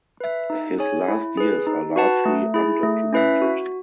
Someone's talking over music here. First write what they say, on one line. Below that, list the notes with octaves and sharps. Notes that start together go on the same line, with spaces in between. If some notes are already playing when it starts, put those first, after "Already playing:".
His last years are largely undocumented.
B4 E5
D#4
G#4 C#5 G#5
E4
G#4 B4
D#4
F#4 B4 F#5 A5
A3
E4 G#4
A3
C#4 E4 B4 E5
F#4